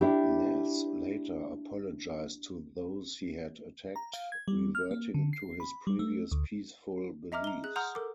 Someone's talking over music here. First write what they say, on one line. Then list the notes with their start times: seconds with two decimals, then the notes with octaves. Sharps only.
Nas later apologized to those he had attacked, reverting to his previous peaceful beliefs.
0.01 D4 E4 G4
3.96 A#5
4.13 F5
4.32 G#6
4.48 G3
4.75 F6
4.91 A#3
5.14 D3
5.33 C7
5.60 B5
5.87 G3
5.99 A3
6.32 D2
7.32 D#5 E5 A#5 D6 F6
7.44 A#5 G7
7.64 G#4 F#6
7.76 F#5 A#5 C6 D#6 F6 G6
7.95 A4 A#4 D6